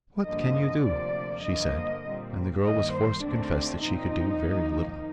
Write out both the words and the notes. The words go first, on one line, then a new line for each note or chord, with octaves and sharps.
'What can you do?' she said; and the girl was forced to confess that she could do very little.
G2 D3 F3 A#3 D#5
D2 C3 F3 A#3 D5
G2 D3 F3 A#3 D#5
A#2 G3 C4
G2 D#3 G3 A#3 D#5
C5
D#2 D3 A3 C4 D4
A#2 F3 C4 D#4
F2 D#3 A#3